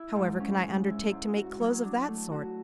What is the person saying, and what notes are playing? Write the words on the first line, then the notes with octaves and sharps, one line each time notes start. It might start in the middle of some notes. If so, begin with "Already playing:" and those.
'However can I undertake to make clothes of that sort?
Already playing: E4
G#2
C#4
G#3
E4
G#2
F#4
F#3
D4
A3
F#4